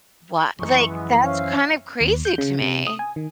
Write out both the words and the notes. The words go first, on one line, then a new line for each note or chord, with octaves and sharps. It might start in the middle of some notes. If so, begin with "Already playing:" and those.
What? Like, that's kind of crazy to me.
F#2 E3 F3 G#3 D#4 C#6
G#3 B3
C#4 C5 E5 F5
D#2
G6
C#3
C3
D#6
G#5
D#3